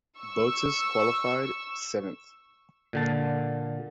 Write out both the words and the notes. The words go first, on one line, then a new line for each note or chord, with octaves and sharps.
Bottas qualified seventh.
C#6 E6
A#2 D3 A5